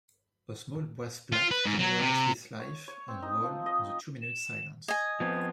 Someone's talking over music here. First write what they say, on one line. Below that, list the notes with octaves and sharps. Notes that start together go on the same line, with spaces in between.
A small brass plaque commemorates his life and role in the two minutes silence.
F4
B4
G#2
F#3
C3
C#5
C#5
C4
D#4
F3
D#5
E7
D#5 G#5 G#6
F3 B3 C4 G#6